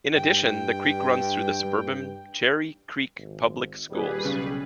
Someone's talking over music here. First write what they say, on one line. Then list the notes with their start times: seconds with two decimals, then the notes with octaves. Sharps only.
In addition, the creek runs through the suburban Cherry Creek Public Schools.
0.16 G2 G5
3.18 G#1
3.89 D#1 G3 G#4 B4
4.25 B1 C#3